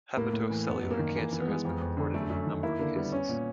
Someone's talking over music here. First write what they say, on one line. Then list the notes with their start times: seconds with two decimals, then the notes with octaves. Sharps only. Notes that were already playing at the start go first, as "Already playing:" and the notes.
Hepatocellular cancer has been reported in a number of cases.
0.17 A2 A#3
0.33 A2
0.50 E3
0.67 F#2 B3
0.82 F#2
0.91 A#3
0.99 D#3
1.16 E3 A#3
1.33 E3
1.40 B3
1.48 G#3
1.65 F2
1.81 F2
1.97 D3
2.14 F#2 A3
2.30 F#2
2.46 D#3
2.63 A#3 E4
2.79 D3 A#3
2.95 G3 B3
3.12 C#4
3.29 A#2